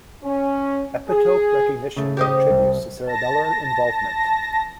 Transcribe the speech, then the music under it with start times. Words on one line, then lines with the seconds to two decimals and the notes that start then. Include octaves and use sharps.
Epitope recognition contributes to cerebellar involvement.
0.23 C#4
1.09 G#4
1.97 C#3 A3
2.17 G4 C5 D#5
2.50 C2
3.07 A5 A#6